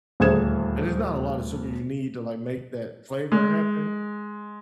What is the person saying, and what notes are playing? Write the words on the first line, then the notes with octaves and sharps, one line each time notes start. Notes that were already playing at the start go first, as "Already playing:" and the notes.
and it's not a lot of sugar you need to like make that flavor happen,
D#1 D2 G#4 C5 G#6 E7
G#3